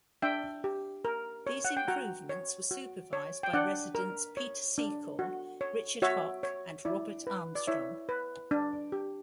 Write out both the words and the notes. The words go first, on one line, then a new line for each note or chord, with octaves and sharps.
These improvements were supervised by residents Peter Secor, Richard Houck and Robert Armstrong.
D4 E5 G5
G4
A#4
C#5
F#5
G5
F#4 F#5 A#5
C#5
F#4
C#5
G5
D4 D5 F#5
A#4
C#5
D4
F#4
C#5
F#4 C#5 E5
C#5
E4 D5
B4
D5
E4 C#5 E5
B4
D4
G4